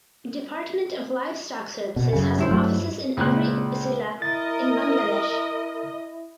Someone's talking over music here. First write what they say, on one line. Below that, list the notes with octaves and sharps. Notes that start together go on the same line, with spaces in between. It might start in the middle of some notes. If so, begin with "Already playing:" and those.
Department of Livestock Services has offices in every upazila in Bangladesh.
B2
F#2 C#3
G2 E4 C5
F#3 A3
C#2 A#2 F#6
E4 A#4 D#5 A6